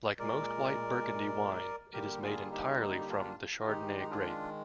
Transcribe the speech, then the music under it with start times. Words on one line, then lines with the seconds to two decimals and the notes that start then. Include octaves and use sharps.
Like most white Burgundy wine it is made entirely from the Chardonnay grape.
0.19 A#2 G#3 A#4 D5
1.93 D3 G3 A#3 G4 A#4
2.22 F4 G#4
2.51 D#4 G4
2.75 F4
2.80 D#4
3.00 G4
3.09 D4 F4
3.60 F4
3.67 D#3 G#3 D#4 G4
4.00 D#4
4.10 D4 F4